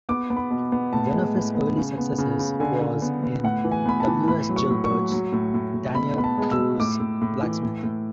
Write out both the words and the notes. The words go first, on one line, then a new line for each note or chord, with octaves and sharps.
One of his early successes was in W. S. Gilbert's "Dan'l Druce, Blacksmith".
B3 D6
B3
B5
B2
B3
A2 A5
G#3
A2
B3
C#3
B3
C#3
C#3
D3 G#5
D3
B3
B3
A2 F#5
E3
G#5
B3 B5
A5
E3
A2 B5
F#3
C#6
A2
C#6
F#3
F#3
A2
A2
A2
B2 B5
B3 B5
A5
G#3
E6
G#3
A2 D6
A2
A2
E3
A2
A2